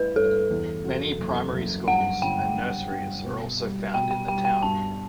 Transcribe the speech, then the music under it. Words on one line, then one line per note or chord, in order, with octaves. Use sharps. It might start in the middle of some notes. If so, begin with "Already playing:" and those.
Many primary schools and nurseries are also found in the town.
Already playing: G2 A3 E4 B4
G2 A4
E2
F#3
F#1
F#1
G2 F#5
G1 G5
G2
G2
B2
G3
B2 G5
G5
G3 G5
G5
G2 A5